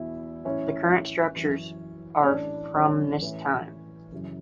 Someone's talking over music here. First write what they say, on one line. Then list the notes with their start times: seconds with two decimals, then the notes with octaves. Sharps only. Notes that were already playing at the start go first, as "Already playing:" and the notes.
The current structures are from this time.
Already playing: E2 B2 E4
0.45 A2 E3 C#4 E4
1.36 F#2 E3
2.23 C#4
2.28 A2 E3 D4
2.75 C#4
3.20 A2 E3
4.12 F#2 C#3 E3